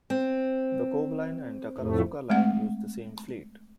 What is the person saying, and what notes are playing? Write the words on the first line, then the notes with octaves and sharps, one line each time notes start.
The Kobe Line and Takarazuka Line use the same fleet.
C4
F2 A2 A3
G#3 A3 C4 F#5